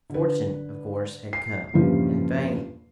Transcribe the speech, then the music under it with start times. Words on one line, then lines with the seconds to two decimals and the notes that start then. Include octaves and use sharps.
Fortune, of course, had come, and fame.
0.10 D3 B4
1.33 C7
1.73 E2 G2 A#2 C#3 F3 G3